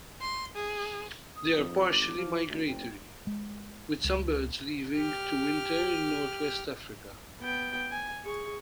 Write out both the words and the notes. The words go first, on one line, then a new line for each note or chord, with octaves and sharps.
They are partially migratory, with some birds leaving to winter in northwest Africa.
C6
G#4
D#6
F2
G#1 D6
F3
D2
F#1 G5
G#3
C#2
G4 F6
B3 G5
G#5
G#4 C#6